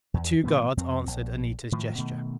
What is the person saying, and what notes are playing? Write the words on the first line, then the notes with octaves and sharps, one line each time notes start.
The two guards answered Anita's gesture.
E2
A2 E3 B3
F2 C4
A#1
A2 D#3 F3
B2 D#3 A3